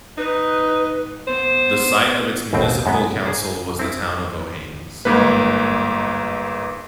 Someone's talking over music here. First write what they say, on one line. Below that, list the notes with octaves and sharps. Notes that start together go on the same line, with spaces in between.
The site of its municipal council was the town of Vojens.
D#4 B4
B3 C5
A1 D#2 B2 C4 G5
F#2 G#3 B3
G#4 C5
C4 E4
G1 G#2 A#3 B4